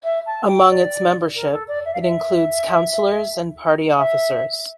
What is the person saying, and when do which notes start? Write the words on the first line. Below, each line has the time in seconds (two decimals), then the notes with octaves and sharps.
Among its membership, it includes councillors and party officers.
0.03 E5
0.26 A5
0.47 G5
0.69 D5
1.35 A#4
1.51 A4
1.67 D5
1.84 E5
1.93 F5
2.00 E5
3.97 E5